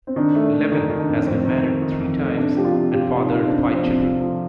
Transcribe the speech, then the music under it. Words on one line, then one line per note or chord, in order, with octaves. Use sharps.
Levin has been married three times and fathered five children.
C4
D#3 D4
A3
D4
A3
D#3
D#3
D4
F2
F2 C4
D#3
D#3
D#3
F2
A3
C3 D4
F3 G4
F4
C3
F4 G4
C3
D#4
F4
C4 D4
F3
C4
C3
F4
F3